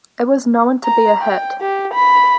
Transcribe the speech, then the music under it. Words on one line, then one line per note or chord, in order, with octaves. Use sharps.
It was known to be a hit.
A#5
G5
G4
B5